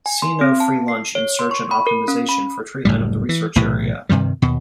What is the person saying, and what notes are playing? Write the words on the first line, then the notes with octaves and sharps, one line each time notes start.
See No free lunch in search and optimization for treatment of the research area.
G#5
C6
C4
A5
C7
C#5
C6
C#6
B5
A#4
C#4
B5
F#1 D2 A2 G3
E3
B1 A2 C3 E3
G2 C3 D#3 G3
D#2 B2